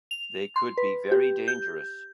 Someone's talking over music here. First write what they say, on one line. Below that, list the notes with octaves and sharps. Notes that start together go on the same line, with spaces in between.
They could be very dangerous.
F7
C6
B4
G4
G6